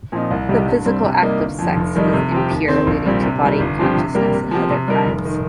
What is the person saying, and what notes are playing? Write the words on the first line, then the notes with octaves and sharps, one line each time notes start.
The physical act of sex is "impure", leading to body-consciousness and other crimes.
A#2 F3 C4 D#4
C2
C3 G3 D#4 G4
G2
G3 C4
C3
G3 A#3 D#4
G1
F2 F3
F1
F2 D#3 G3 D#4
C3
F3 C4 G4
D#2
D#3 C4
A#1
A#2 G3 C4
C3
D#3 G3
G1
G2 F3 C4 G4
C3
G3 A#3 G4 A#4
C3
F3 C4 G4
C3
G3 D#4 A#4
F1
D#3